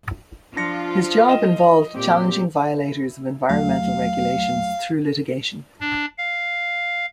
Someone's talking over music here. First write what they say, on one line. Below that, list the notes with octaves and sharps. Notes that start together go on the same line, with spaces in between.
His job involved challenging violators of environmental regulations through litigation.
F3 D4 F4 A#6 C#7
D#5 E7
A#2 C4 G4
E2 F#3 A3 F5
D4
F5